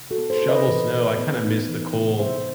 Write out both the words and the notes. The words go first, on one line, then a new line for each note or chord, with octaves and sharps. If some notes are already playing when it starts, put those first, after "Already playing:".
shovel snow, I kinda miss the cold.
Already playing: C3
F#4 A4
B3
A4 C5
D#4
B4 D#5
E3
C3
B3
D#4
E3
C3
B3 C5 E5